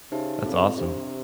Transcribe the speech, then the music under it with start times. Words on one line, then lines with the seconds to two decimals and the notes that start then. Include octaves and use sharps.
That's awesome.
0.12 C#3 D#4 G4 C5 E5 A5
0.45 C#3 C4 F4 A4
0.77 C3 D4 G4 C5